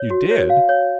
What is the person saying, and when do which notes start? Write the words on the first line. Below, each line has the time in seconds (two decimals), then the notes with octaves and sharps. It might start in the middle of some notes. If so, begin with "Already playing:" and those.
"You did!"
Already playing: C#5
0.10 F#4
0.31 C#5
0.50 F5
0.69 C#5